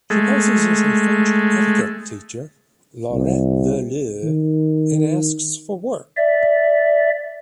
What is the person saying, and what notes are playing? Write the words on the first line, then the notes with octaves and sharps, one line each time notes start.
She poses as a French etiquette teacher, Laurette Voleur, and asks for work.
G#3 A3
C2
D#3
D5 E5